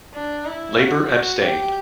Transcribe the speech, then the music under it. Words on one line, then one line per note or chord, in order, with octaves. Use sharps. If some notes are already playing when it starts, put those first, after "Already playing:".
Labour abstained.
D4
E4
F#4
F#4
G4